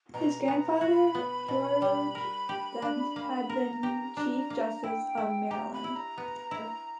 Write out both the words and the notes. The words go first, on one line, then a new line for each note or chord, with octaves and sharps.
His grandfather, George Dent, had been Chief Justice of Maryland.
B2 A#5
B3
F#4 B5
B3
B2
G3
A#4
G4
D4
A#3
A#4 A#5
G4
D4
A#3
E4 G5
E4
G4 A#5
B5
E4
A#5
B3
E4